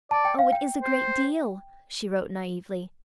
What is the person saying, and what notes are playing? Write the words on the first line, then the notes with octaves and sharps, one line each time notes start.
"Oh, it is a great deal," she wrote naively.
D5 A5
G5
F5
G5
C5